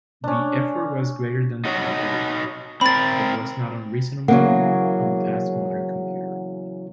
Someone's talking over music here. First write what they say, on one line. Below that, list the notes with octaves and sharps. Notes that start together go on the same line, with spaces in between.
The effort was greater than above, but was not unreasonable on fast modern computers.
C#4 D4
D#4 F#4 C#5
C4 A#4 B5 A6
E2 C#3 F#3 A#3 F#5